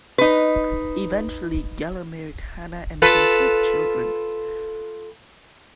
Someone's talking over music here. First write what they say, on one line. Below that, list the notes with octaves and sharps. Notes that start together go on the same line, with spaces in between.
Eventually, Geller married Hannah and they had children.
D#4 B4
F4 A4 B4